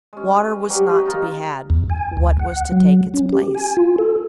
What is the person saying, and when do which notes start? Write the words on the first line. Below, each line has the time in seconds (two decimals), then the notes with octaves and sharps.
Water was not to be had; what was to take its place?
0.13 G#3 C#4
0.38 B4
0.69 F#3 G3
0.89 G4 B4 D#5
1.05 D#4 F4 A#4
1.70 E2
1.90 G#5
2.17 D2
2.39 F#5
2.72 F#3
3.14 C#4
3.33 G4
3.55 G#5
3.77 F4
3.98 A4